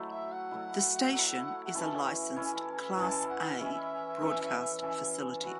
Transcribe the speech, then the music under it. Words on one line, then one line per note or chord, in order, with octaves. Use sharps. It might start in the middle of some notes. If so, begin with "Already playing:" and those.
The station is a licensed "class A" broadcast facility.
Already playing: F#3 A3 E4
E5
F#5
F#3 A3 E4
F#3 A3 E4
F#5
E3 C#4 E4 A5
C#5
E5
E3 C#4 E4
B5
A5
B5
E3 C#4 E4 A5
F#5
E3 C#4 E4 E5
E3 C#4 A4
E3 C#4 A4
E3 F#4